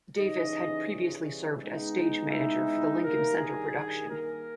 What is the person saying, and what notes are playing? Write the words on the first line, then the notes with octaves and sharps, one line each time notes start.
Davis had previously served as stage manager for the Lincoln Center production.
C#3 E3 G3 C#4 D#4 D#5
C#3 G#3 B3 D#4
E4 E5
G2 D#3 G3 A#3 A#4
G#4
A#3 A#4